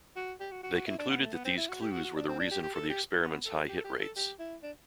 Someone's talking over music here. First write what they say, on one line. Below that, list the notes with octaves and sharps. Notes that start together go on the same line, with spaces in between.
They concluded that these clues were the reason for the experiment's high hit rates.
F#4
G4
F#4
F#4
F#4
E4
D4
B3
A3
B3
C4
E4
F#4
G4
F#4
F#4
D4
C4
D4
G4
G4
A4
G4
B3
A4
G4
A4
G4
A4
G4
E4
D4